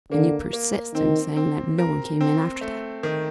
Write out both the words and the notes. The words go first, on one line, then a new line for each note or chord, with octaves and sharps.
"And you persist in saying that no one came in, after that?"
D3 A#3
A#3
D#3 C4
C4
A#4
C4
A3
D#3